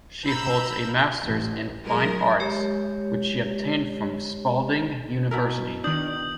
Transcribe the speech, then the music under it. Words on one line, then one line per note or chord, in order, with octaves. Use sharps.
She holds a masters in fine arts, which she obtained from Spalding University.
A#5 B5 E6 G6
A1
F#3 G#3 A#4
G#3 G4 C#5
B2 E4 A#4
D#3 D4 D#6 G6 F#7